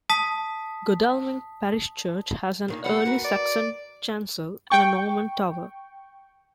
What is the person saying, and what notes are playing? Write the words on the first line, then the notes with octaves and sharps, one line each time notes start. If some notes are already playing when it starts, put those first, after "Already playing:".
Godalming Parish Church has an early Saxon chancel and a Norman tower.
A5 D#6 B6
A#2 D#3 A#3
E3 G3 A#3 F#5
F#4 A#4 B4
D5
G5 C#6